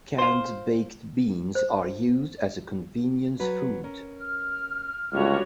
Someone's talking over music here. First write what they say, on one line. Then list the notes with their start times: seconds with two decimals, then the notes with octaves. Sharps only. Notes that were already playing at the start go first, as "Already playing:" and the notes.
Canned baked beans are used as a convenience food.
0.18 F4 C5
1.55 C5
3.39 F#3 B4
3.84 C#4 A#4
4.19 F6
5.14 C#2 D3 G3 B3 F#4 C#5